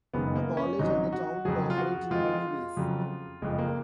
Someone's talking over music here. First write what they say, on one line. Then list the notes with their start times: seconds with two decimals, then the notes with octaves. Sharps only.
The college and the town cooperate in many ways.
0.14 F#1 F#2 D#3 G#3 B3
0.35 A#3
0.57 C#4
0.79 G#1 G#2 F#3 D#4
1.12 F#4
1.45 F2 C#3 F#3 G#4
1.70 F4
1.78 F#4
2.11 F2 F3 G#3 F4
2.77 F2 C#3 F#3
3.42 F#1 F2 F3 G#3
3.59 A#3